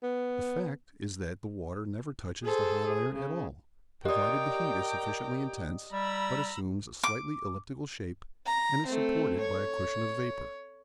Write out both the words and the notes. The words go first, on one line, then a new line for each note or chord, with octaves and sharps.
The fact is that the water never touches the hot iron at all, provided the heat is sufficiently intense, but assumes a slightly elliptical shape and is supported by a cushion of vapor.
B3
G#4 A4 C5
G#4
C#3
G4 A#4 D5 D#5 G5 A#5 D6 D#6
G3 A#5 B5 E6
D6
A#5
A3 C4
C#5